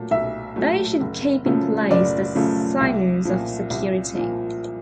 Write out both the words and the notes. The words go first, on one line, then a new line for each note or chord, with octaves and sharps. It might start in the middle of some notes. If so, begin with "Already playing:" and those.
They should keep in place the sinews of security.
Already playing: A#2 F#3 A3
B1 E5
A#2 F#3 A3
F#1
F#2 C#3 F3 A3
F#1 D5
F#2 C#3 F3 A3
C2
A#2 F3
C2
A#2 F3